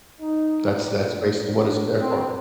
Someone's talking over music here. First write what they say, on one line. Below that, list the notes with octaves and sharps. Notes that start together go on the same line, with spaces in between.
That's that's basically what it's there for.
D#4
G3
A#2
D4
C4